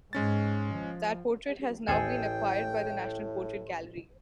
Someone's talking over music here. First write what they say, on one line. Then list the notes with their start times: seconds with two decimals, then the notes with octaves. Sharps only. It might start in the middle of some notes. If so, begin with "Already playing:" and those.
That portrait has now been acquired by the National Portrait Gallery.
0.13 G#2 G#3 C#4 A6
0.75 F3
1.88 A1 D#2 A2 C4 G#4 A4 G5 G#5